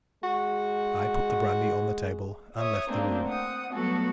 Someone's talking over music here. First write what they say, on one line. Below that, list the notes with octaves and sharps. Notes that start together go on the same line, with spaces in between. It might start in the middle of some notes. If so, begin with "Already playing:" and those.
I put the brandy on the table and left the room.
G#3 F#4
C#5 E5 D#6
A3 A#3 C4 D4
C4 F#5 D#6
F#3 G3 A3 B3 F#4 A4